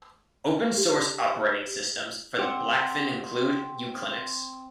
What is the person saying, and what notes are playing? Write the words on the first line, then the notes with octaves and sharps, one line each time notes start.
Open-source operating systems for the Blackfin include uClinux.
G4
C4 G4 F#5